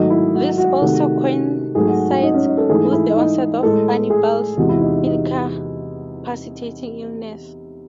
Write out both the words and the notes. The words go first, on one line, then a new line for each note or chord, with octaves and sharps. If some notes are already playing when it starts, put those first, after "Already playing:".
This also coincides with the onset of Annibale's incapacitating illness.
Already playing: G#2 D#3 F#3 A3 D#4
E4
F#4
F#4
C3 D#3 A3
G#2 F#3 A3 G#4
F#4
F#4
D#4
C#4
D#4
A4
G#2 E3 A3 G#4
E4
D#4
A2 G#3 A4
G#4
E2 C3 E3 G#3 F#4
E4
D#4
D#4
D#4